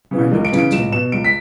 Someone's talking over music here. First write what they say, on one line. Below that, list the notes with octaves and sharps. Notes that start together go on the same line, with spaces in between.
I looked at him.
C#3 E3
C#2
D7
C#3 E3
D7
C#2 E7
B2 E7
C#2 D7
B6